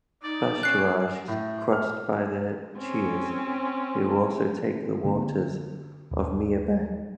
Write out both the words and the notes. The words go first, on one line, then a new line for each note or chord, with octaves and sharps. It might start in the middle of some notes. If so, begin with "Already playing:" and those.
Bascharage is crossed by the Chiers who also take the waters of Mierbech.
D#4 D5
C#4 F#6 C7
A2
F6
C4 C#4
D3 A#3 C4
D#1